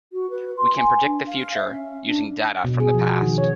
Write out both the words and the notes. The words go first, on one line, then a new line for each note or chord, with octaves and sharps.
We can predict the future, using data from the past.
F#4
B4
C6
G#5
D4
F5
E5
C#4
D4
B2
G#4
F3
F#4
D#3
C#5